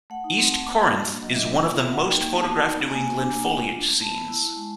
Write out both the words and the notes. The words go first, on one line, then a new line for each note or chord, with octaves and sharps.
East Corinth is one of the most photographed New England foliage scenes.
A3 F#5
D#4
C4
A3
A#3
F#4
D4
A#3
F#3 D#5
E5
D4 D#5
A#3
F4
A#3 E5
F#4 F#5
D#4 G5
A#3 G5
B3 A5
F#4
D#4
B3
A#3 G#5
F#4
D4
A#3
A3
F4
D4
A3
B3 A5
B3
E4
E4
G#3